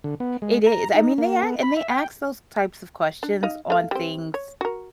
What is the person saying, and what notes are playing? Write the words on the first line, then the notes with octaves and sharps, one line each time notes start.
It is, I mean, they act and they ask those types of questions on things
D3
B3
G#3
A#5
D#4
A#3
B3
B5
E5
G5
D4
D#4 D#5 F5
A3 F5
G3 C4
C#5
F#4 A#4